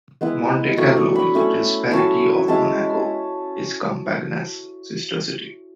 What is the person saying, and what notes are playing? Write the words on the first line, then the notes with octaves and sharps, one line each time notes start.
Monte Carlo in the Principality of Monaco is Campagna's sister city.
G#3 B3 E4
F#3 A3 D4 C#6
C#6
B5
A3 C#4 E4
F#3 C#4 E4 A5
G#3 C#4 E4 A5